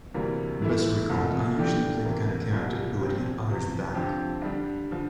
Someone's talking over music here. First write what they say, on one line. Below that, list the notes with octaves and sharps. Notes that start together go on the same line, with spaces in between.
Besser recalled, "I usually played the kind of character who would hit others back".
D2 C3 E3 G3 A#3
E3 A3 E4
C2 A#2 A3
E3 A3 D4 G4
C3 E3 A#3 E4
C2 A#2 G3
A#2 F3 C4
E2 C3 F3
F2 D3 F3 C4 G4
D3 G3 D4
D3 F3